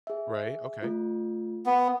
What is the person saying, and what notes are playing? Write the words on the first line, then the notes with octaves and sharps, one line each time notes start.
Right, okay.
G#4 E5
A3 F4
B3